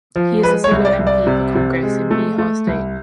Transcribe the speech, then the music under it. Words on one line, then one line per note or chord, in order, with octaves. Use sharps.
He is the solo mp for congress in bihar state.
F3
G#3 B4
C#5
C2
D5
C2
D5
C3
C3
G#3
A3
A3
C2